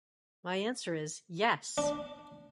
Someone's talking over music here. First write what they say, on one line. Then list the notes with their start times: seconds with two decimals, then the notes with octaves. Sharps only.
My answer is, yes.
1.78 D4